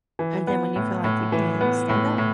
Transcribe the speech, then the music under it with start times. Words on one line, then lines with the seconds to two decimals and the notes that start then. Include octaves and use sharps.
and then, when you feel like you can, stand up
0.19 E3
0.47 B3
0.76 A2
1.04 A2
1.32 E3
1.61 B3
1.89 A2
2.18 A2